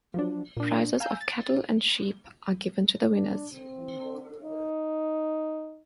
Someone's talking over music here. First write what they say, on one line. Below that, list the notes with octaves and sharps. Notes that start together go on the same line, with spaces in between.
Prizes of cattle and sheep are given to the winners.
F3 F#3 D4
A#2 D4
F5 G#5 A#5 E6 G6
A6
D4
C4
D#4